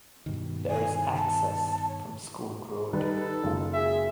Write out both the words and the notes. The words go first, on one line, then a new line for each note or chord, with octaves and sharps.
There is access from School Road.
G2 B2 D#3
G#5
A5
C#5
D#3 G3 D#4 A4 B4
F#1 G#3 F4
G#4 E5